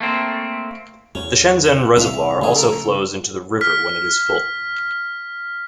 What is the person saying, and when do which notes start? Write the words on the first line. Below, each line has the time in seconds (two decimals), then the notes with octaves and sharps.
The Shenzhen Reservoir also flows into the river when it is full.
0.01 A3 A#3 C4
1.15 E2 C#4
1.65 F#5
1.97 C2 E5 F5
2.42 A2 C#3 F3 C#4 G#4
2.56 A4 A#4
3.61 F6 B6